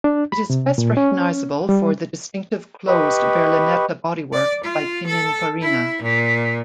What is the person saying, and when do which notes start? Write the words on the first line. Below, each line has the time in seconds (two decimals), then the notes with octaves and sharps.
It is best recognisable for the distinctive closed berlinetta bodywork by Pinin Farina.
0.04 D4
0.32 B5
0.50 C3
0.78 A#2
0.97 C#4
1.69 G3
2.88 G4 B4 D#5 B5 C#6
4.33 D5
4.64 F4
5.07 A4
5.61 E4
6.02 A#2